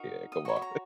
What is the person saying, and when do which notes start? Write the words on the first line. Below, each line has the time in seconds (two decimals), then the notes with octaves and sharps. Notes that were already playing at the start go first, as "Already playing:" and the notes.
Yeah, come on.
Already playing: D#4 F#4 A#4
0.32 D#6
0.45 F#4 C#5 C#6
0.56 B5
0.62 A#5